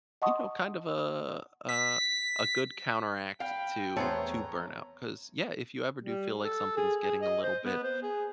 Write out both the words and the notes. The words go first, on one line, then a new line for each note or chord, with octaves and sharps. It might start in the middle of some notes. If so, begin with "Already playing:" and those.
you know, kind of a a a good counteract to to burnout. 'Cause yeah, if you ever do feel like something's getting a little bit,
D#5 F#5 A5 C6 C#6 D#6
B6
F5 G5 B5
E2 A3 B3 C5 C#5 A#5
G3
A4
G#4
G#4
D#5
C5
B3
C5
G#4